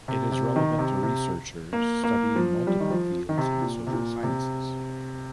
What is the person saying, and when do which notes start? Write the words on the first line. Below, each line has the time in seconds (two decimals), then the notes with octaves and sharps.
It is relevant to researchers studying multiple fields in social sciences.
0.08 C3
0.32 C3
0.56 D#3
0.78 C3
1.03 C3
1.73 A#3
2.04 A#3
2.36 F3
2.67 G3
2.80 D#3
2.91 F3
3.29 D#3
3.38 C3
3.62 A#2
3.87 C3
3.93 A#2
4.23 C3